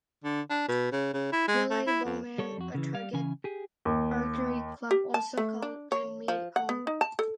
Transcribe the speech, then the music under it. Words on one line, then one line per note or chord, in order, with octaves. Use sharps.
Ville Bowmen a target archery club also call Denmead home.
D3
D4
B2
C#3
C#3
E4
G#3
A3
E4
F2
G3 A4 C#5
F2 F#4
C#3 E3
G3 F5
C#3 E3 C#4 G#5
G4 G#4
D#2
G4
A5
A3
D4
C#5
F3
F#5
B3
D#4
A5
A4